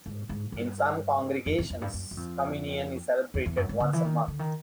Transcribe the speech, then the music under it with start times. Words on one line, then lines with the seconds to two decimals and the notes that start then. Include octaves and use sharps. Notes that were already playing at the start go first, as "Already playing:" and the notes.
In some congregations communion is celebrated once a month.
0.06 G#2
0.29 G#2
0.52 G2
1.46 F2
1.58 E2
1.70 F2
1.82 G2
1.94 F#2
2.11 F#2
2.17 F2
3.34 E2
3.46 E2
3.57 F#2
3.69 G#2
3.80 D3
3.93 E3
4.04 D#3
4.28 D3
4.39 D#3